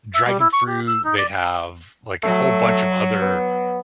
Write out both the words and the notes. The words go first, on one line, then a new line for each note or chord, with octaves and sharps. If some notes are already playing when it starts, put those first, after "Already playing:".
dragon fruit, they have, like, a whole bunch of other
E5
G3
E4
C#6
G4
E6
D#4
D5
F#3 A3
B3